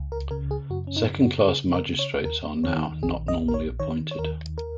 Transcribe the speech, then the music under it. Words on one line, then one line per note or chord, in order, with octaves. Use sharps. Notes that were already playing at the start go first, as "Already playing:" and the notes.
Second Class Magistrates are now not normally appointed.
Already playing: C#2
A#4
C#3 A#4
G#4
F#2 F#4
C#4
D#4
C#3
F#4
C#3 G#4
A#4
C#3
C#5
D#2 A#4
D#3 C#5
A#1 G#4
D#5
A#1
A#4
C#5
D#3 C#5
C#5
D#2 A#4
A#4